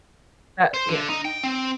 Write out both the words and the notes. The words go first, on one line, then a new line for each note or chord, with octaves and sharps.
but, you know.
C5
D3
D#4
G5
C4